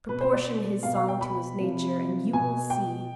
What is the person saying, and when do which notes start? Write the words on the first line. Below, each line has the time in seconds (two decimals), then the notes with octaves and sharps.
Proportion his song to his nature, and you will see!
0.09 B2 B4
0.21 C5
0.33 D5
0.83 B2 F5
0.95 F5
1.08 G5
1.21 B5
1.58 C3 F3
2.33 B2 G#5
2.70 G5